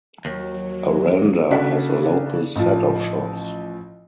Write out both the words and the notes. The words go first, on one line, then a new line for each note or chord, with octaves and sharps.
Aranda has a local set of shops.
D#2 F#3
C#3 D4 F#4 A4 B6
A1 F3